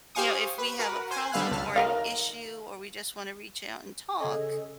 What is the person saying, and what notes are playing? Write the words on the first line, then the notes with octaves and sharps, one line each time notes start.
you know, if we have a problem or an issue or we just wanna reach out and talk,
G4 C5 F5 G#5 C#6 D#6
B4
F#4 A#4 B4 F#5
C5 G#5
D3 G3 B4 F5 E6 F#6
C#2 A5 F6
D#3 A#4 F5
C#3 G#4 A4 D#5